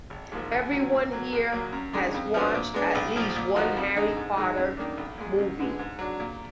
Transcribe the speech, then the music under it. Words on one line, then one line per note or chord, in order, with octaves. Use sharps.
Everyone here has watched at least one harry potter movie.
G#1
G#2 F3 A#3
D#2
D3 F#3
A#2
F#3 A#3
A#1
A#2 F#3 A#3
F#2
D#3 G#3 D4
F2
F3 B3 D4 F#4
A#2
G#3 B3 D4
B1
A#2 F3
A#2
F3 A#3 D#4 F#4
F2
D3 G#3 D#4
G#2
D#3 G#3 D#4 F#4
F#2
D#3 A#3 D4
B1
A#2 G#3
F#2
D3 G#3 B3
G#2
F#3 D4
A#2